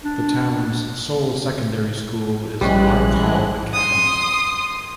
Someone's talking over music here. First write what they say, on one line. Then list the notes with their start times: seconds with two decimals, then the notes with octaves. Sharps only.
The town's sole secondary school is Larkhall Academy.
0.04 D4
2.61 A#1 E3 G3 G#3 C#4 F#6
3.73 C6 D#6